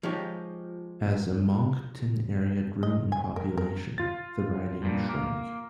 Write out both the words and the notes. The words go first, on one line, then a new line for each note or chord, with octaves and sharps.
As the Moncton area grew in population, the riding shrank.
F3 G#3 D#4 G4 C#5
D#5
G#5
A#4
A#4
F4 A6
G2 A#2
A#3